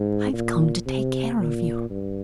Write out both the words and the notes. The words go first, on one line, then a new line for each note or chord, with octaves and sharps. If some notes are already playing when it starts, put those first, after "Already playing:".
I've come to take care of you.
Already playing: G#2
A#2
C3
A#2
G2